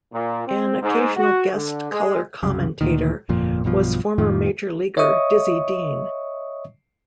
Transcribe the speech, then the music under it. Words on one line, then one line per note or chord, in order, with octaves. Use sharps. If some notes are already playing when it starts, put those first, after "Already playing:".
An occasional guest color commentator was former major leaguer Dizzy Dean.
A#2
C4
G#2
F#4
D3
G#3
C2 F#2 C#3
D2 A#2 D#3
G1 F2 A#2 F3
B1 G2 B2 F3
F2 A2 D#3 F3
C#5 D#5 E5 C#6 D#6